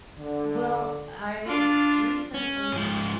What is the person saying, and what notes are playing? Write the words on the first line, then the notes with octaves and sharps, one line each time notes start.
Well, I recently
D3
D4 F4
C#4
G#2 F3